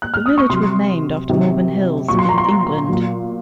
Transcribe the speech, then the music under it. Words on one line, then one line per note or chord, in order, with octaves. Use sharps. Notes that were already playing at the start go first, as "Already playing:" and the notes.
The village was named after Malvern Hills, in England.
F#6
F6
D#6
C#6
C3 F#3 C6
C3 D#3 F#3
A#2 F#3 C#6
C6
A#5
C6
A#2 F#3